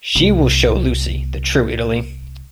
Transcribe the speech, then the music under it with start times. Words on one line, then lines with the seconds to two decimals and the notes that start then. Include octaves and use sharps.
She will show Lucy the true Italy.
0.15 C2 A#3